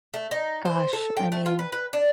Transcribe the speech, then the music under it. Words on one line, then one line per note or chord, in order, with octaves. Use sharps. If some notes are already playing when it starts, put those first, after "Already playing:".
Gosh, I mean,
A3
D#4
C5
A4
G5
A3
F4
B4
B4
D4